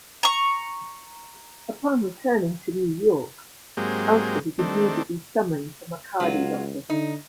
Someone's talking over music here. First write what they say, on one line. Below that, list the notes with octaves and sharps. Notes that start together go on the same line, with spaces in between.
Upon returning to New York, Alfred is immediately summoned to MacHardie's office.
A#5 C#6
G#2 F#3 G#3 A#3 C4 G4
D#3 A3 C4 D4
C#2 F#3 F4
D3 D#4